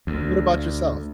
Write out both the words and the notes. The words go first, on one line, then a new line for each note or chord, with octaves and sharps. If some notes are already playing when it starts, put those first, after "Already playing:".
what about yourself?
D2